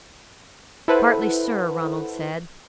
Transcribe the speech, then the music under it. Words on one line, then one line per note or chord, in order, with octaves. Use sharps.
"Partly, sir," Ronald said.
E4 A4 B4 C5 F#5